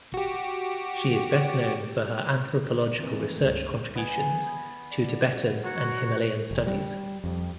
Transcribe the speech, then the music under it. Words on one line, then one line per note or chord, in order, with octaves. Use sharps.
She is best known for her anthropological research contributions to Tibetan and Himalayan Studies.
F#4 G4
F2 D#3 E3 A3 A#3 C4
G1 C#2 G#2
B3 D#5 G#5
D5
F#3 F#4 C#5
F1
G3
F2